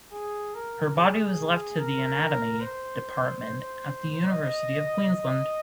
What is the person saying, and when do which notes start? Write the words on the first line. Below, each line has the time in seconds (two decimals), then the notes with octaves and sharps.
Her body was left to the anatomy department at the University of Queensland.
0.12 G#4
0.54 A#4
0.96 G#4
1.78 A#4
2.61 C5
4.26 D#5
5.09 D#5